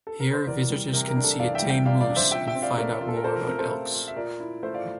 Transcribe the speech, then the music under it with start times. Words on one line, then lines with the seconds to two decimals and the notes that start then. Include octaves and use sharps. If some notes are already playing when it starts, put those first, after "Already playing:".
Here visitors can see a tame moose and find out more about elks.
0.07 A4
0.20 A#4
0.33 C5
0.47 E2 A#4 D5
0.70 G3
0.93 C3 A#4
1.08 A#4
1.16 D4
1.24 A4
1.39 E2 D5 F5
1.55 E5 G5
1.62 G3
1.70 E5 G5
1.86 C3 D5 F5
2.01 D5 F5
2.08 D4
2.16 C5 E5
2.31 A#2 E5 G5
2.47 E5 G5
2.55 C4
2.62 D5 F5
2.78 A3 A#4 D5
3.01 F4
3.08 A4
3.16 A#4
3.24 A#2 A4 C5
3.36 A#4
3.47 C4 A#4
3.58 A4 C5
3.70 A3
3.93 F4
4.08 E5
4.16 A#2 A#4 D5
4.40 E4
4.63 A3 C5 E5
4.74 D5 F5